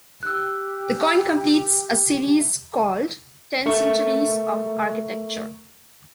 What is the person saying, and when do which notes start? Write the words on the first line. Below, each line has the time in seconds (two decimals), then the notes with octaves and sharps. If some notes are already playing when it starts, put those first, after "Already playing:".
The coin completes a series called "Ten Centuries of Architecture".
0.23 G4 E6 F#6
3.66 A3 A#4 C#6